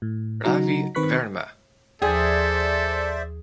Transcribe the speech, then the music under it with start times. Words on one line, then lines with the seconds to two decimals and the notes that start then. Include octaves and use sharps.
Ravi Verma.
0.02 A2
0.44 C#3 F#3 D#4 F#4 A#5
0.95 D#3 C4 B4 C#6 F#6 B6
2.02 D#2 F3 G#4 A4 C5 D5 E5 G#5